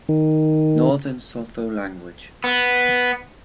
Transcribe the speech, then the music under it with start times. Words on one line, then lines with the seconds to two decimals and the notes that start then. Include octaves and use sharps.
Northern Sotho language.
0.09 D#3
2.44 B3